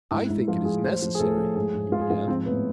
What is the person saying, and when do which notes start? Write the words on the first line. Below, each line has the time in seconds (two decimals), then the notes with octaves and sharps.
"I think it is necessary," he began.
0.11 G#2 E4
0.29 G#2 E4
0.48 F3 F4
0.65 F3 G#4
0.84 A2 C5
1.02 F3
1.15 G#4
1.19 A2 A4
1.37 F3
1.56 G#2 G#4
1.74 G#2
1.92 G#2 F4
2.01 G#4
2.10 G#2 F4
2.28 F3 C4
2.46 A2 B3